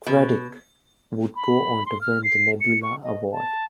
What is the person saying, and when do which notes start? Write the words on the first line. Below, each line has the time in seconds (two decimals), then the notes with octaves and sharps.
Chwedyk would go on to win the Nebula Award.
0.07 B2
1.36 B5
1.86 C6
2.01 F6
2.24 C7
2.61 C#7
2.83 C#6
3.04 D#5
3.32 A5